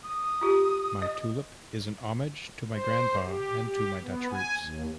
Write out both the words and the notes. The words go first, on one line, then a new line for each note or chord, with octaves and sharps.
My tulip is an homage to my Grandpa and to my Dutch roots.
D#6
F4 G4
D#5
C5
G4
G4
B3
G#5
D#2